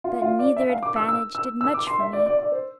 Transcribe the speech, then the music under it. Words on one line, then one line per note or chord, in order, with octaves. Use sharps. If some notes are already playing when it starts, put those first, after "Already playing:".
But neither advantage did much for me.
F4
F4
D5
E5
F5
D6
E6
E6
E6
E6
D6
C6
E5
D5
D5
D5
C5